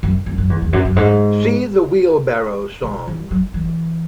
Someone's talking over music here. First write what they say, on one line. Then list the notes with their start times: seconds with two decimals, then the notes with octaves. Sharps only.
See "The Wheelbarrow Song".
0.03 F#2
0.26 F#2
0.38 F#2
0.49 E2
0.62 E2
0.73 F#2
0.85 F#2
0.96 G#2
2.84 B2
3.08 E3
3.31 F#3
3.54 E3